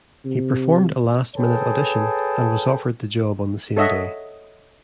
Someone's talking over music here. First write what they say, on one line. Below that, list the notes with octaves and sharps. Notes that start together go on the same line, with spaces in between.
He performed a last-minute audition, and was offered the job on the same day.
C3
G#4 A4 B4 C#5 G5 A5
A4 C#5 D#5 E5 F#5